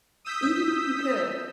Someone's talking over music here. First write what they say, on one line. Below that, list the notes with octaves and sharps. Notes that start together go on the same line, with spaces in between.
Even if you could,
D#6 E6 G6 B6